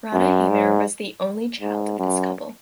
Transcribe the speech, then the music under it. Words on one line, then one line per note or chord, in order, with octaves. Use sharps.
Rana Hammir was the only child of this couple.
F#2
G#2
G#2
F#2